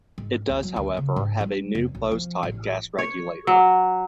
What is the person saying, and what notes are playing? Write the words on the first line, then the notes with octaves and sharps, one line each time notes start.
It does, however, have a new closed-type gas regulator.
G#2
D2
F#3
D2
C#3
G#2
G3
F1
B1
F3
A1
C#5
F#3